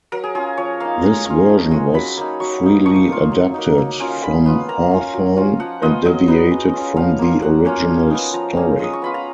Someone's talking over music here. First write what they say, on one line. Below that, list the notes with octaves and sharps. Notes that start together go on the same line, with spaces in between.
This version was "freely adapted" from Hawthorne and deviated from the original story.
F#3 A#4
G#4
C#4 F4 G#4
F3 C#5
A#3 D#4 F5
G#3 A#5
C#4 F4
F3
G#3 C#4
F#3 B5
A#3 D#4
F#3 C#6
A#3 D#4
F3 C#6
A#3 F4
F#3
A#3 D#4
A#3
C#4 F4
G#3 B5
B3 F4
A#3 A#5
C#4 F4
F#3
C#4 F4
F3 F#5
B3 F4 D#5
F#3 D#5
B3 D#4
G#3
C#4 F4
F3 F5
A#3 F4
F#3 F#5
A#3 C#4 F4
F3
B3 D#4
F3 A#5
A#3 C#4
G#3 D#6
C#6
B3 F4 B5
A#5